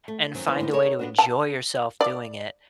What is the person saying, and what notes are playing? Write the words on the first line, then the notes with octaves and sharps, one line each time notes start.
and find a way to enjoy yourself doing it
A3
F#2 D#3 F#3 C4
C#3 E3 A#3 B3 E4 C5
C#3 A#3 B3 D4 D#4
D#4 A4 A#4 C#5 D5 E5
B3 D4 F#4
A5
D5